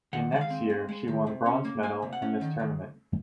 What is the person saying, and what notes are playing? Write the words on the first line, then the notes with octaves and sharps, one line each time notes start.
In next year she won bronze medal in this tournament.
D#3 F#5
G#3 F#5
F5
C4
G#3
G#3
D#3
C3
C#4
A#3
A#3 G#5
C3
F#5
C#4
D#3
D#3